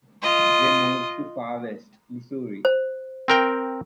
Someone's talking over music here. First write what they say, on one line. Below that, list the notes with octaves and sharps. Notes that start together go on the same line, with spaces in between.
They moved to Far West, Missouri.
F4 D#5
C5
C4 A#4 G5